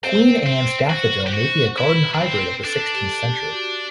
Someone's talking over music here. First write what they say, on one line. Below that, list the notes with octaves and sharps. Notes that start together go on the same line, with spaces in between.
Queen Anne's daffodil may be a garden hybrid of the sixteenth century.
C4 C5
C4
F#4
G4
F#4
E4 B4
D4
C4
D4 A4
G4
G4
F#4